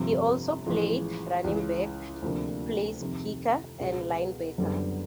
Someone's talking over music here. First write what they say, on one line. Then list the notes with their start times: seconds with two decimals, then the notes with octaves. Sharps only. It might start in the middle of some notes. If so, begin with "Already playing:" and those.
He also played running back, placekicker, and linebacker.
Already playing: G1 F2 C3 F3
0.66 A1 A2 F3 G#3
1.44 C#2 C#3 E3
2.22 D2 C3 F3 A#3 D4
3.01 F2 C3 D#3
3.79 C#2 B2 G#3 B3
4.58 F#1 F#2 D3 G3 B3